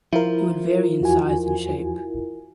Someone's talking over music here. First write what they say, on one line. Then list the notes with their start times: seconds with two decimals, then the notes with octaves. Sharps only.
It would vary in size and shape.
0.13 F3 E4 F4 A#4
1.01 E2 F#4 G#5